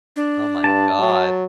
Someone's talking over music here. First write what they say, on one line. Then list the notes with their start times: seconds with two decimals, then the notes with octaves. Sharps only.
Oh my god.
0.16 D4
0.64 G2 A5
0.99 F#3